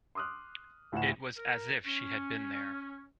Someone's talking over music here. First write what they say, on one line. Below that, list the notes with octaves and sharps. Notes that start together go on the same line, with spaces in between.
It was as if she had been there.
C6 D6 D#6 F6 F#6
D2 A2 F4 F#5 E7
A#4
C#4